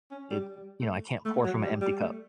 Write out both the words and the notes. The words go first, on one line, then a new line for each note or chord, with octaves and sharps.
it, you know I can't pour from a empty cup.
C#4
G3
G3
A3
A3
F#3
G3
G3
A3